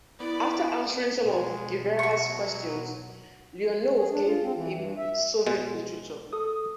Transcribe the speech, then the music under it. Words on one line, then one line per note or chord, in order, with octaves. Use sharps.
After answering some of Guevara's questions, Leonov gave him Soviet literature.
B3 E4 D5
B2 G#3
F#3 F#4 C#6
G#4
D4
F4
C4
E3
G2
E5
B2 G#3
A4 D#6